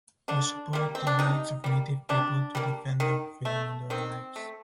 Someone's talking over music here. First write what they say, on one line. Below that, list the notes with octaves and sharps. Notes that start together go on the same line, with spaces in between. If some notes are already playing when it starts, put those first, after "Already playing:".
We support the rights of Native people to defend their freedom and their lives.
D3 D4
G3 A#3
C4
D4
C3 D#4
G3 A#3
C3 D4
G3 A#3
D#3
A3
D#3 C4
A3